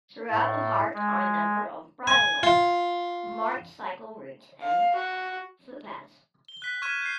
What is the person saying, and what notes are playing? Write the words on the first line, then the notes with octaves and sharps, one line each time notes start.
Throughout the park are a number of bridleways, marked cycle routes and footpaths.
A2
G#3
G#5
F4
F5
F#4
G7
F#6 B6
C#6 F6 G#6 B6 D#7 E7
G6 C7